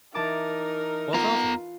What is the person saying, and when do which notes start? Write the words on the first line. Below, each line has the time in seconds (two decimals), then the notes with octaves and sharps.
"What of him?"
0.14 E3 D#4 A#4 A5 D6
1.14 B3 F4 B4 A#5